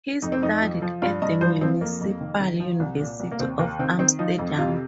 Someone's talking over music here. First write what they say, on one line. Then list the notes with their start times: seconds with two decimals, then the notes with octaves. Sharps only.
He studied at the Municipal University of Amsterdam.
0.22 F2 D#4
0.32 C4
0.42 F2 D#4
0.62 F3
0.82 F3
1.02 G2 F4
1.22 G2 D#5
1.41 F3 C5
1.61 F3 C4
1.81 F2 A#3
2.01 F2
2.21 D#3
2.40 D#3
2.60 F3
2.80 C2
3.00 A#2
3.20 C2
3.31 A#3
3.39 D#2 C4
3.59 D#2 A#3
3.79 D#3 C4
3.99 D#3 C4
4.19 F3 D#4
4.38 F2
4.58 C3 F4